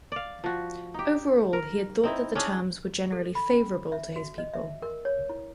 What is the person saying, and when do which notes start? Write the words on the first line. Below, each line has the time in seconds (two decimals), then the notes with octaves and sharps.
Overall, he had thought that the terms were generally favourable to his people.
0.12 D5 F5
0.44 F3 F#4
0.94 D#4 G4
1.53 A#4
2.04 C4 D#4 E4
2.35 C#4 D4 G#4
3.12 A4
3.35 B5
3.50 C#4
3.92 E5
4.16 F#4
4.38 D#5
4.54 E5
4.82 A#4
5.05 C#5
5.30 E4